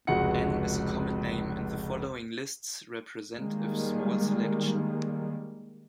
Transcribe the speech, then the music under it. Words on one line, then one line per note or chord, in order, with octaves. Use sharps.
Anne is a common name and the following lists represent a small selection.
F1 C#2 G#3 F#4 F#5 C#7
D#3 G3 G#3 A#3